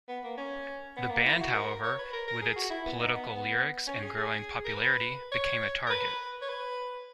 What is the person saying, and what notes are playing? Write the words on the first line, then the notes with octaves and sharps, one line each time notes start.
The band, however, with its political lyrics and growing popularity, became a target.
B3
A#3
C#4
B3
A#3
E4
F#4
A#4
C#5
B4
A#4
A#4
G#4
F#4
E4
B3
D#4
B3
B3
C#4
G#4
G#4
A#4
B4
C#5
A#4
B4
C#5
B4